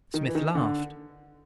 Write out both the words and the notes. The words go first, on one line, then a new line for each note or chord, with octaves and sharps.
Smith laughed.
D#3
E3
D#3
D3